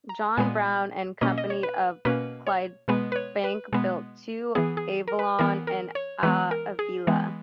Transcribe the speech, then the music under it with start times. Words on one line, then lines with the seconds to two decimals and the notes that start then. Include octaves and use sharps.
John Brown and Company of Clydebank built two: "Avelona" and "Avila".
0.09 A#5
0.37 A#2 G#3 B3 G#5
1.21 B2 A#3 C#4 D#5
1.38 D#5
1.50 C#5
1.63 B4
2.05 B2 A#3 C#4 B4
2.47 C#5
2.88 B2 G#3 B3 B4
3.12 B4
3.16 C#5
3.44 B4
3.73 B2 G#3 B3
4.55 E3 B3 G#4
4.77 G#4
5.08 A#4
5.19 B4
5.39 E3 B3 A#4
5.67 A#4
5.95 C#5
6.23 E3 G#3 B3 B4
6.51 A#4
6.79 G#4
7.07 E3 G#3 B3